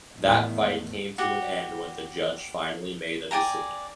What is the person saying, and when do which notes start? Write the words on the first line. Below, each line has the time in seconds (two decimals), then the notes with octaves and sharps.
That fight came to an end when the judge finally made a decision.
0.21 E2 A2 D#3 A3
1.18 F#4 G4
3.31 D5 G5 G#5 A#5